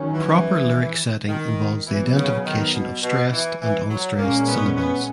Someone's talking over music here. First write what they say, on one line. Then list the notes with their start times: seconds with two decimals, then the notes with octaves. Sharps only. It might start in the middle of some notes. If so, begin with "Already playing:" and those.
Proper lyric setting involves the identification of stressed and unstressed syllables.
Already playing: D#3 F#3 C#4
0.13 E3
1.29 D#3
1.86 B2 E3 F#3 B3
2.15 C#3
2.44 D#3
2.74 B2
3.03 B2
3.32 E3
3.60 E3
3.89 F#3
4.18 A#2 G#3 A#3 C#4
4.47 B3
4.76 B3